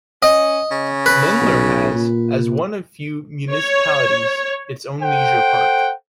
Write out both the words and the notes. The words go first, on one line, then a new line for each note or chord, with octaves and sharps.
Lindlar has, as one of few municipalities, its own leisure park.
C#4 D#5
C#3
B4
B1
A#2
C#5
A4 C5 F#5 G5